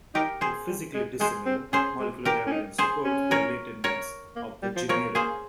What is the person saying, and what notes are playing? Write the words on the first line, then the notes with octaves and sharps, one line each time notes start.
While physically dissimilar, molecular evidence supports the relatedness of the genera.
D#4 G4 A#4
G#4 C5
G3
G#3
G#3 G#4 C5
C4
C#4 G#4 C5
G#3
G4 A#4
C#4
D#4
G#4 C5
C#4
A#4 C#5
A#4 C#5
A#3
G3
F3
F3 A#4 C#5
A#3 G#4 C5